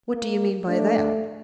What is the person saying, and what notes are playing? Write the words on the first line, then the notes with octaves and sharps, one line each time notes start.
"What do you mean by that?"
A#3
A3 D4